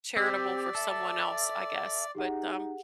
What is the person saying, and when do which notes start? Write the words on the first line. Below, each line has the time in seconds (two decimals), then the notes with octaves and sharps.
charitable for someone else, I guess, but, um
0.17 C4 G4 D5 E6 B6
0.75 A4 E5
2.15 D#4 G4 G#4 F#5